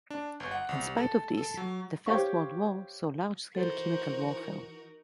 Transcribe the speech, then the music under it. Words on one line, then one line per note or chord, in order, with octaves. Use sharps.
In spite of this, the First World War saw large-scale chemical warfare.
D4
G1
F#5
C2
A4
A4
F#3
G4 C5 C#5 F5 C#6
E3 D#4 F#4 A4 A#4 C5